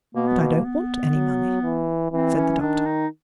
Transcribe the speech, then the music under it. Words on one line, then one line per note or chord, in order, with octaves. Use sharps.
"But I don't want any money," said the Doctor.
B2 A#3
B3
A#3
B3
F#3
E3
E3 C4
C#4
D#3 D4
D#4